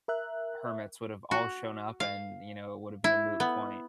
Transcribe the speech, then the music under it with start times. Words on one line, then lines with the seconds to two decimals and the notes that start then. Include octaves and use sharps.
hermits would have all shown up and, you know, it would have been a moot point.
0.08 A#4 E5 F#6
1.31 F#4
2.00 F5
3.04 E4
3.40 B3